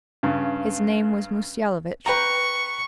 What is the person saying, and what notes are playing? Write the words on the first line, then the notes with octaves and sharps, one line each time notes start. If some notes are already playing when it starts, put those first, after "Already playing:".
His name was Mussyalovitch.
G2 C#3
B4 G5 A#5 C#6